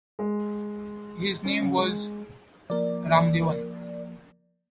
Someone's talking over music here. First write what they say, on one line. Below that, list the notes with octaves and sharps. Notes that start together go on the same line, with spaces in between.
His original name was Ramadevan.
G#3
C#4
C#3
G#3
F3 A#3 A#4 D5